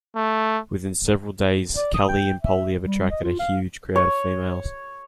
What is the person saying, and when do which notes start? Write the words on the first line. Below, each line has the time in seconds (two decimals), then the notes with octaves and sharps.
Within several days Calli and Polly have attracted a huge crowd of females.
0.16 A3
1.76 D5
1.94 D#6
2.08 G5
2.42 E5
2.83 G3
3.11 D#5
3.23 F4
3.39 F5
3.96 C#5